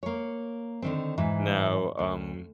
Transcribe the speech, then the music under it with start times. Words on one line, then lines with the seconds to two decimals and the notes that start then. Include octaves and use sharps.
Now, um,
0.03 A#3 C#5
0.82 D3 D#3 C4
1.18 G#2 E3
1.99 D2